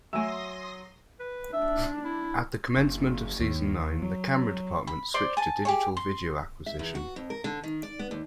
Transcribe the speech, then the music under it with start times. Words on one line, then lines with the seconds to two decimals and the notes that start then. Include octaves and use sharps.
At the commencement of season nine, the camera department switched to digital video acquisition.
0.13 D3 F#3 A3 E5 G#5 C6 D#6 A#6
1.20 B4
1.53 D4 E5
2.05 E4
2.77 F#1
3.39 D#2
4.02 F#3
4.87 B5
5.14 C5 D5 C6
5.37 G#5 A5
5.65 G4 G#4 C#5
5.97 C6
6.66 E5
6.79 E2
6.95 F#4
7.16 F2
7.30 A#4
7.44 D3
7.63 D#3
7.83 D5
7.99 B3
8.11 D#2